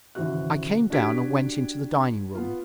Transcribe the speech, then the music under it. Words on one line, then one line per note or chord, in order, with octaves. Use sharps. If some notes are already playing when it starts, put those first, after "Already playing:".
I came down and went into the dining room.
G#1 G#2 C#3 E3 F#4 F#6
D4 F#4 G4 G#6 B6 D7
B3 F4